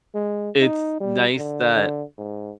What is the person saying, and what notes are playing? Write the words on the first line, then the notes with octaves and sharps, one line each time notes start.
it's nice that
G#3
D#4
G3
D3
D3
G#2